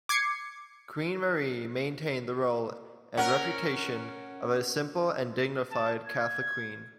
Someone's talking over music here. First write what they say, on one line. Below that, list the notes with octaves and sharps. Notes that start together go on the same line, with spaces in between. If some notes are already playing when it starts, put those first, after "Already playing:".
Queen Marie maintained the role and reputation of a simple and dignified Catholic queen.
D6 G#6 C7 C#7
C#4 A#4 F#5
A5
G#6